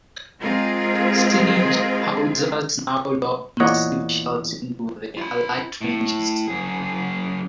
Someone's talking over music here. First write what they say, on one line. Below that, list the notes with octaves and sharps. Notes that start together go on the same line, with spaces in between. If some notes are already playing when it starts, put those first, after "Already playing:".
Siege howitzers now lobbed massive shells into the Allied trenches.
G#3 C4 F4 G#4 A#4
E2 A#2 C#5 D#5 F#5
F4 B5
A2
F#2 G#4